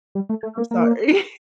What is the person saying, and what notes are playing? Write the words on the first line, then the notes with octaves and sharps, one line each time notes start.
I'm sorry.
G3
A3
A3
A#3
A#3